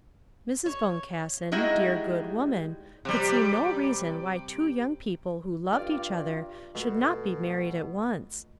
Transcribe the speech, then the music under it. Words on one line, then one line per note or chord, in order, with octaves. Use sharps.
Mrs. Boncassen, dear good woman, could see no reason why two young people who loved each other should not be married at once.
C#5
G3 G#3 D#4 E4 F#4
C3 G3
G2 F4 D5
B2 A3